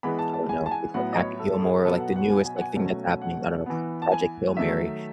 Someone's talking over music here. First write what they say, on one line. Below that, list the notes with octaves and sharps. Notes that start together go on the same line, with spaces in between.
I don't know, movie like Happy Gilmore, like, the newest, like, thing that's happening I don't know, Project Hail Mary,
E3 G#3 B3 B5
A5
A5
G#5
A5
G#5
A2 F#3 B3 F#5
D#5
C#5
A4
A4
G#4
B2 F#3 B3 A4
F#5
F#5
G#5
G#5
F#5
G#5
B2 F#3 A3 C#4
F#5
E3 B3
A5
G#5
D#3 F#3 A3 E5